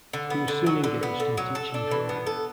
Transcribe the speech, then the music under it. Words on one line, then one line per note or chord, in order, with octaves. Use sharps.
He was soon engaged in teaching drawing.
D3
B3
D3
F#3
D3
B3
D3
F#3
A4
D4
E3
B3
A4